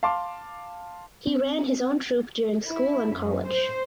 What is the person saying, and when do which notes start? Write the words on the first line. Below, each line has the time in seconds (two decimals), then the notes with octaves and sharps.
He ran his own troupe during school and college.
0.03 F5 A5 C6 D6
1.27 C4
2.65 E4
3.15 F#2
3.47 C5